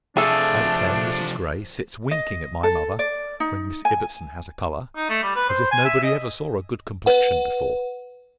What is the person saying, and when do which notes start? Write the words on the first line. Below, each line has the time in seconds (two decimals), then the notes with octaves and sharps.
I declare Mrs Grey sits winking at my mother when Miss Ibbotson has a colour, as if nobody ever saw a good complexion before.
0.17 C3 F3 A3 D4 G#4 A4
2.11 D#5
2.63 A4
2.99 D5
3.40 D#4
3.85 G#5
4.96 D#4
5.09 A3
5.23 G3
5.35 B4
5.49 C5
5.72 G#5
5.85 E5
6.03 D#5
7.06 B4 F#5